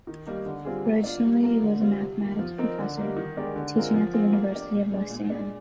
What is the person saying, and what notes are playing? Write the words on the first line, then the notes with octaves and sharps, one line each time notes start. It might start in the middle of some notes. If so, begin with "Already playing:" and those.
Originally he was a mathematics professor, teaching at the University of Lausanne.
D#3
G3 A#3 D#4
D3
G3 C4 F4 G#4
A#3
D4 F4
G3
A#3 F4 A#4
D3
G3 C4 F4
C3
D#3 A#3
F3
C4 D#4 A#4
D3
G3 A#3 D#4 A#4
D#3
G#3 D4 G4 A#4
D3
G#3 C4 F4 A#4
F3
C4 F4 G#4
A#3
D4 G4
A#2
G#3 D4
A#2
G#3 D4